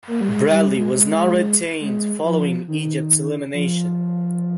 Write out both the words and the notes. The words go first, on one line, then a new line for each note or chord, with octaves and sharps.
Bradley was not retained following Egypt's elimination.
A#3
G3
G#3
G3
G#3
G#3
G#3
F3
D#3
F3